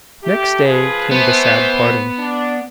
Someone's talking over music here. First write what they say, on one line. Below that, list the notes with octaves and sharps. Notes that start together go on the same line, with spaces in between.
Next day came the sad parting.
A3 G4
F3 G#4 B4
E3 A3 B3 C5
D4